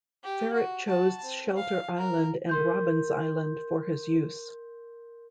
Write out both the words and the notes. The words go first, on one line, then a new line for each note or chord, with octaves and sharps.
Farret chose Shelter Island and Robins Island for his use.
G4
F#4
F#4 A5
C4
F5
A#4
A#4 C6 G6